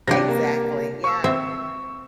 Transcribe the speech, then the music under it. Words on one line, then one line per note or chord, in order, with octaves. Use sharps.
Exactly, yeah.
C3 G3 D4 G4 A#6
A#3
C#6 E6
C4 E5